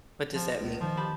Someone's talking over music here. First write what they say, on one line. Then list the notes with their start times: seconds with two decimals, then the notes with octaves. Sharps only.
What does that mean?
0.34 F3
0.58 C#2
0.80 D#3 F3
0.97 G4 A5 B5